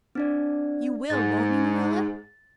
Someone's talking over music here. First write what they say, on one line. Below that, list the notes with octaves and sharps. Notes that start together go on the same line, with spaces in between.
You will, won't you, Marilla?
C4 D4 D5
G#2 A6